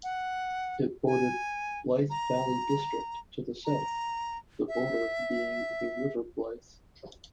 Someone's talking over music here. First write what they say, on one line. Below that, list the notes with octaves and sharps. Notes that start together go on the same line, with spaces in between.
It bordered Blyth Valley district to the south, the border being the River Blyth.
F#5
G#5
A#5
A#5
E5